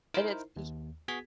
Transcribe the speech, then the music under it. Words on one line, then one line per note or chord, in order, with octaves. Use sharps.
And it's e
D#4 E4 A#4 C5
D#2
B3 F#4 G#4 G#6 B6